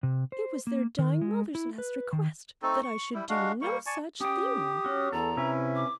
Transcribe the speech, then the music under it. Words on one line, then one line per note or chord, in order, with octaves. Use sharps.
"It was their dying mother's last request that I should do no such thing."
C3
C5
A#3
D#3
G#3
E4
B4
D#3
A3 C4 D#4 A4
C#6
G3 E4
G#3 D4 F#4 F5
G3 A#3 C#6
D5 G#5 A5 C#6
C#4 G4 G5 D#6
C#4 F#4
E2 A4 A#5
C3 C#4 E4 B4
D6